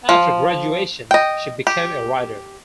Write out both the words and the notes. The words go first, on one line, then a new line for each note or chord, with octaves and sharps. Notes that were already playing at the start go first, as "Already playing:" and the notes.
After graduation, she became a writer.
F3
D#5 G5
G4